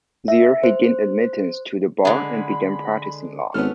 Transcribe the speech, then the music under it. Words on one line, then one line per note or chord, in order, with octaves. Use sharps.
There he gained admittance to the bar and began practicing law.
E5
C5
D3 G#3 D4 B5
G#1 B3 C#4 A4 F6